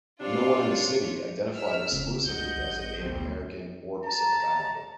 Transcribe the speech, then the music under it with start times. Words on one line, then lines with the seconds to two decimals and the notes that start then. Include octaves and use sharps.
No one in the city identified exclusively as a Native American or Pacific Islander.
0.21 C3 D4 F4 C#5 D5 F5 C6
1.54 E6 F6 B6
1.92 F1 C#3 C4
2.25 C#2 G2 D#5 F#5 G6
2.58 A1
3.01 D2 B2 C4
4.04 A5 A#5